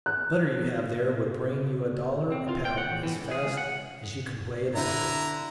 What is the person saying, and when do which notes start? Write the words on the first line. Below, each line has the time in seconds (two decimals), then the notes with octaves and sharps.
The butter you have there would bring you a dollar a pound as fast as you could weigh it out.
0.06 F#6
2.32 C4
2.49 F4
2.65 G5
2.78 F#5
2.90 E2
3.03 E3
3.16 C#2
3.31 G#4
3.46 C#2
3.57 F#5
4.75 D3 E4 A#5